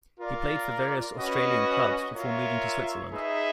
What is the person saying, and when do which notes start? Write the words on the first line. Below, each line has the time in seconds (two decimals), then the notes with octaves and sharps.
He played for various Australian clubs before moving to Switzerland.
0.19 F4 A#4 D5
1.18 C#4 F#4 B4 D#5
2.15 F4 A#4 C#5 E5
3.13 D#4 G#4 B4 E5